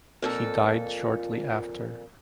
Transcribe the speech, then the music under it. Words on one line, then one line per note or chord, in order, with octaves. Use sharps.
He died shortly after.
F2 A#2 A4